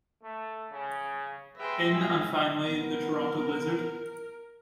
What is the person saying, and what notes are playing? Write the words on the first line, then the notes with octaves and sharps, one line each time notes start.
In and finally the Toronto Blizzard.
A3
C#3
G#4 B4 E5 G5 C6 A#6
G#3 C#4 G#4
B3 A#4